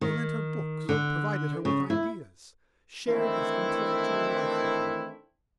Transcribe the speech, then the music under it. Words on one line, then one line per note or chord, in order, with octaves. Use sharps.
He lent her books, provided her with ideas, shared his intellectual life with her.
D#3
D3
C#3
E4
D#3 E3 A3 C4 D4 E4